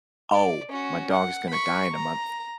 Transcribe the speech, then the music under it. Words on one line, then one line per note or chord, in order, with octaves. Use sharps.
"Oh, my dog is gonna die in a month."
D5
C#4 F#4
F#5
B5 C#6
A#5